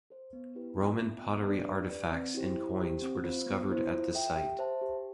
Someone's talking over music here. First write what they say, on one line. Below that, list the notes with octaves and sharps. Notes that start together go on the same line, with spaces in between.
Roman pottery artefacts and coins were discovered at the site.
A4 C5
B3
E4 G4 B4
B3
F4 A4 E5
B3
D4 G4 B4 D5
G4
B4 D5
C4
E4 G4 C5
E4
G4 C5
C4
F4 C5
B3
E4 A4 C5
F4
A4 E5 G5
G4
C5 E5 A5
G4